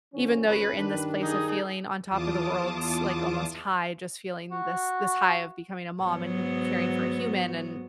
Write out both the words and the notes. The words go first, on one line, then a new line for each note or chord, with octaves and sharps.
even though you're in this place of feeling on top of the world, s like almost high, just feeling this this high of becoming a mom and caring for a human, and
D3 F3 C#4
G#1 C#2 C#4 B4
G2 D#3 D4
D#4 G#4
E2 F4 A5 D6 D#6
F#4
G#2 F#3 B3